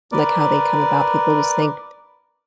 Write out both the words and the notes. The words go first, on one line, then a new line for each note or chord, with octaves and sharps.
like, how they come about, people just think
A#4 B4 D5